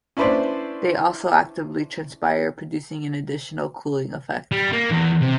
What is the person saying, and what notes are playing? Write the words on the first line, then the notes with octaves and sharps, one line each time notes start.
They also actively transpire, producing an additional cooling effect.
C#4 D4 E4 B4 C5 D5
G3
A#3
E2
C3